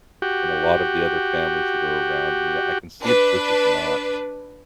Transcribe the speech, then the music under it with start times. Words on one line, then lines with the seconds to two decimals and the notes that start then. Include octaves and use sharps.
in a lot of the other families that are around me. I can see that this is not
0.22 F#4 G4
3.02 D4 B4